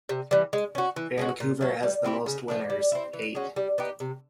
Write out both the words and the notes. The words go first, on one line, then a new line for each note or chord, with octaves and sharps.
Vancouver has the most winners, eight.
C3
E3 G3
G#3
C#4 F#4
E3
G#3 C#4 F#4
A#2
F#3 A3
G3
C4 E4 G4
C#3
F3 A3 D4
G3
C4 E4
E3
G#3 C#4 F#4
G3
B3 D#4 G4
C3